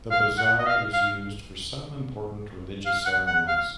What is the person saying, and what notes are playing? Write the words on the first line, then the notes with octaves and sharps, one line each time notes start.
The bazaar is used for some important religious ceremonies.
F5
F#5
D#5
F5
F5
F5
F#5
F#5
F5